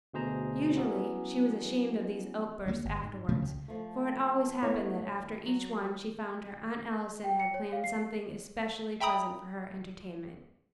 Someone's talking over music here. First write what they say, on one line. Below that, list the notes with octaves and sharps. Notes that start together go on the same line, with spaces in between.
Usually she was ashamed of these outbursts afterwards, for it always happened that after each one she found her Aunt Allison had planned something especially pleasant for her entertainment.
D2 B2 G#4 C5 A#5
E3 F#3 B3 C#4
D2 G3 G#3 A#3
G1
G#2
C#3 F3 F#3 A3
C#2 C#3
F3 A3
A3 B3 E4 C#5
D#2
F#3
G5
C#7
C#5
F5
C7
E5 G5 A#5 B5 D#6